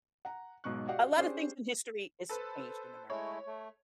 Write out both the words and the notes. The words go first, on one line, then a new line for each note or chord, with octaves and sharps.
a lotta things in history has changed in America,
F#5 A#5
B1 G#2 B2 C#6 F#6
F#4 G4 D5 D#5 F5 F#5
C#4 D4 G4 G#4 C5 D5
A4 B4 C5
G#3 A3 E4 C#5
A3